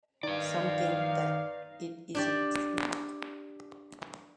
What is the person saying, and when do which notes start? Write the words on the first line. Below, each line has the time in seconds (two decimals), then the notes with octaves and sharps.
Some think that it is extinct.
0.23 D#3 D#4 B4 D5 F5
2.15 D4 G4 D5